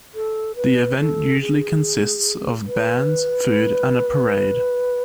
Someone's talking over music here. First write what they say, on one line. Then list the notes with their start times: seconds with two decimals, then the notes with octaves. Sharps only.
The event usually consists of bands, food, and a parade.
0.15 A4
0.56 B4
0.99 A4
1.41 G#4
2.67 B4